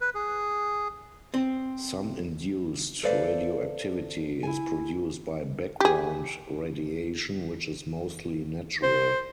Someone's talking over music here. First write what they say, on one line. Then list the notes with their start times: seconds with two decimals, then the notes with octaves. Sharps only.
Some induced radioactivity is produced by background radiation, which is mostly natural.
0.01 B4
0.15 G#4
1.34 C4
3.03 A4 B4 C5 D5 E5 F5
4.43 E4 G#5
5.80 G4 G#4
8.83 C5